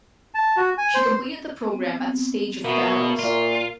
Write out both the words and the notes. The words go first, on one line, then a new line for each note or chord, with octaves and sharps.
She completed the program at the stage of battles.
A5
F#4
G#5
C5
B3 C4
B2 A#3 B3 E5 C#6
A#2 F4